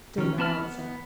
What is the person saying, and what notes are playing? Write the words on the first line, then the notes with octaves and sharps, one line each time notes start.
Still no answer.
D#3 C#4
B3 C4 A5 B5 F6
B3